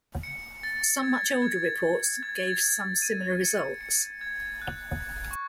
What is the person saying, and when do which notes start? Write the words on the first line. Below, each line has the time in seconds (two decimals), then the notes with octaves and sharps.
Some much older reports gave some similar results.
0.23 C#7
0.63 A6
1.03 G#6
1.42 G#6
2.23 G#6
2.35 A6
2.47 G#6
3.02 D#7
3.41 C#7
3.81 C#7
4.21 G#6
4.62 F#6
5.31 C#6